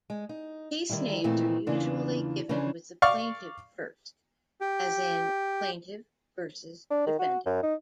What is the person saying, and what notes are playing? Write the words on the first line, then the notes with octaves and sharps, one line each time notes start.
Case names are usually given with the plaintiff first, as in "Plaintiff versus Defendant".
G#3
D#4
D3 D#3 F#3 G3 E4
A#2 D#3 E3 A3 C4
E2 C#3 E3 A#3 D4 F4
C#3 E3 F3 C#4 D4
D5 F5 C#6
G4
D4
D#3
F#4
F#2
D#4